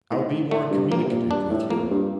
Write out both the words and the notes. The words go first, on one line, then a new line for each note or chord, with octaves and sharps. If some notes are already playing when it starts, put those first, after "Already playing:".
I'll be more communicative with you.
A2 D#3
A2 A3
G2
A#2 A#3
C3
A#2
G2 D4
A2
F2 A#3
G2